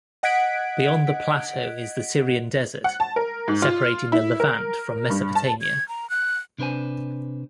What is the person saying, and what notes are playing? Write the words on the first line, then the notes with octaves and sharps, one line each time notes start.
Beyond the plateau is the Syrian desert, separating the Levant from Mesopotamia.
D#5 F#5 F#6 G#6 B6 D7
F#5
A5
A#4
G#2
F4
E4
A#4
G2
A5
G#6
A#5
F#6
C3 D4 B4 C5 G#5